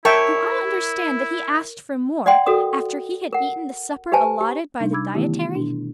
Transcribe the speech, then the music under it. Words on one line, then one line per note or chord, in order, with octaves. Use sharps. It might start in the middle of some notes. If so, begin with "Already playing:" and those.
Do I understand that he asked for more, after he had eaten the supper allotted by the dietary?'
E4 A#4 C#5 E5 G5 A5
D5 D#5 F#5 G5 C6
F#4 A4 A#4 D#6
A#4 F#5
G4 B4 C5 G#5 A5
G4
C3 G3 D4 D#4
B5 D6 E6 G#6
D#3 E3 A3 B3 E4 G4
B2 D4